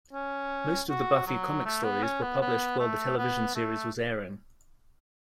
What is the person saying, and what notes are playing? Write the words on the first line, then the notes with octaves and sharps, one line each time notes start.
Most of the Buffy comic stories were published while the television series was airing.
C#4
F#4
F#3
A3
B3
C#4
B3
B3
A3
B3
A3